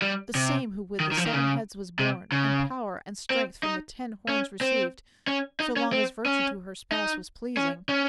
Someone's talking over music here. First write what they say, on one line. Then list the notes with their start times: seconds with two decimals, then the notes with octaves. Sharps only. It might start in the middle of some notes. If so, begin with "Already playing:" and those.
The same who with the seven heads was born, And power and strength from the ten horns received, So long as virtue to her spouse was pleasing.
0.02 G3
0.35 C3
1.00 D#3
1.11 D#3
1.17 F3
1.26 D#3
1.33 C#3
1.99 C3
2.32 C#3
3.30 C4
3.63 D#4
4.29 C#4
4.61 C4
5.27 C#4
5.60 D#4
5.76 C#4
5.92 C4
6.26 C#4
6.92 D#4
7.57 C#4
7.89 C#4